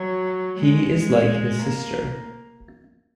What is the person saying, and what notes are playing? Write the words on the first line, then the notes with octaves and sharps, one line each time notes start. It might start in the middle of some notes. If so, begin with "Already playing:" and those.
He is like his sister.
Already playing: F#3
G#3
G#3
A#3